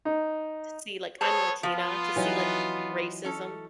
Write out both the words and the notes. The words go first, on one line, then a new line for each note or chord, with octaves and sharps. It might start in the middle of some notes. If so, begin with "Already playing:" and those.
To see like- I'm Latina- to see, like, racism.
D#4
B3 G#4 A4 C5 C#5 A5
F3 B3 F4
E3 F#3 D#4
C#4 A4